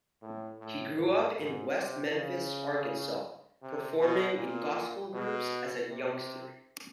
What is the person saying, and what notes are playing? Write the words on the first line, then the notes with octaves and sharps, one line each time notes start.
He grew up in West Memphis, Arkansas, performing in gospel groups as a youngster.
A2
A2
G#2
G#2
C3
C#3
C3
B2
A#2
B2
C3